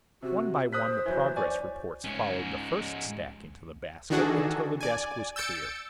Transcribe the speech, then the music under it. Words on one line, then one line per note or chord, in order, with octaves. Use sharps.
One by one the progress reports followed the first stack into the basket, until the desk was clear.
C3 F#4
C5 D#6 F#6 B6
E3 F#3
C#5 D5 G#5
G#2 C#4
D#3 E3 D4 F#4 G#4 A4
D5 G#5
E6 G6 A6 C#7 D7